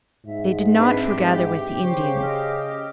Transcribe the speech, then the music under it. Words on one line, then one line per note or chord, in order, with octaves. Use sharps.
They did not forgather with the Indians.
G#2 E5
C4 D4 B4
G#2 G4
C#3 C5 C#6
D#5 D6 F6